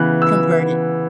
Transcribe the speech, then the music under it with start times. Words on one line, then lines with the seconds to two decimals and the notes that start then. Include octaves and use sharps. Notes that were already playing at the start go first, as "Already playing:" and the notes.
convert it?
Already playing: C#3 E3 B3 F#6
0.22 E6